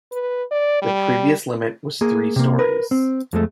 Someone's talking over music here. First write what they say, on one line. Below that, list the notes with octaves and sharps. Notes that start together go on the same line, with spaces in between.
The previous limit was three stories.
B4
D5
G3
A#3 G#4
C3 A#3
A#4 B4
C4
F2 G#3 A3